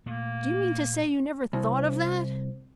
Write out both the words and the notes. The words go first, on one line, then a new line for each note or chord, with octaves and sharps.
Do you mean to say you never thought of that?
A#2 A3 A#3
C2